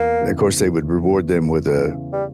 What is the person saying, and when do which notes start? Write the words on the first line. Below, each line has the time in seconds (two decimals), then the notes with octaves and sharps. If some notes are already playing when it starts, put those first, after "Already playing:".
of course, they would reward them with a
Already playing: E2 A#3
0.21 C#3 E3
0.59 E2
0.97 C#3 E3
1.36 E2
1.74 C#3 E3
2.13 G3